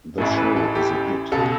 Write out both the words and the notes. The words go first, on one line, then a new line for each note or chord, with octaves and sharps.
The show is a hit.
A1 A2 E3 A4
B4
A4
G4
C#2 B2 A4